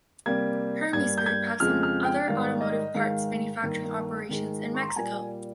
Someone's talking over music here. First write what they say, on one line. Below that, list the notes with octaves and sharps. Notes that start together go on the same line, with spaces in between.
Hermes-Group have some other automotive parts manufacturing operations in Mexico.
C3 G3 A#3 G#6
G2 G3 A#3 G#6
G6
G#6
F2 C#3 F3 G#3 F6
F6
G5
G#2 D#3 G3 F5
D#5
G#2 D#3 G#3 F5
G2 D#3 A#3
G#2 D#3 G#3
C#6
C6
A#5
A#2 G3 A#3 G#5